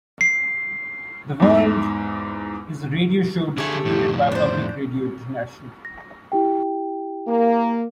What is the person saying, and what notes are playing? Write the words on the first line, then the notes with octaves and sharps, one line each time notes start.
"The World" is a radio show distributed by Public Radio International.
C7
E2 G#2
D3 A3 G4 G#4
F2 A2
D4 C5
A#6
E4 G4 G5
A#3